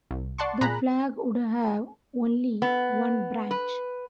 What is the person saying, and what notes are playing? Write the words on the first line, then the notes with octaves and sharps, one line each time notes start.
The flag would have only one branch.
C2
D5 F#5 A5 C6 C#6
A#2 G#4 A#5 B5 F#6
B3
B4